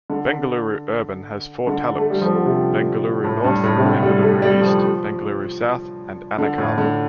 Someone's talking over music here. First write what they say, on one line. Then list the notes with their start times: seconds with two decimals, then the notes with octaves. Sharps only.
Bengaluru Urban has four taluks: Bengaluru North, Bengaluru East, Bengaluru South and Anekal.
0.10 D3
1.67 D3
1.99 A3
2.10 G3
2.22 F3
2.34 D3
2.46 C3
3.24 A2
3.44 G2
3.64 A2
3.76 C3
3.83 D3
4.03 G3
4.22 A3
4.42 G3
4.62 F3
6.38 D3
6.58 A2
6.78 D3